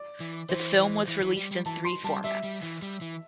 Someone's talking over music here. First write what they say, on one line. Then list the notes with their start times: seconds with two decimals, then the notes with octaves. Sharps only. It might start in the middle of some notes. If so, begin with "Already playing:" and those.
The film was released in three formats.
Already playing: D5
0.20 E3
0.49 E3 C5
0.78 E3
1.08 E3
1.22 E3
1.37 G3
1.51 G3
1.66 E3 A5
1.85 C6
2.04 G3 A5
2.24 G3 E5
2.44 G3
2.63 E3
2.82 G3
3.01 E3